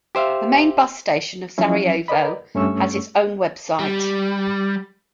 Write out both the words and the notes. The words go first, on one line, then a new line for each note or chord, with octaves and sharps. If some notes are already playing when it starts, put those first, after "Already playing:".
The main bus station of Sarajevo has its own website.
G4 C5 E5 F5
F3 F#3 C#4 E4
A#4 B4 D5 D#5 B5
G2 A3 C#4 C#5 C#6 E6
G3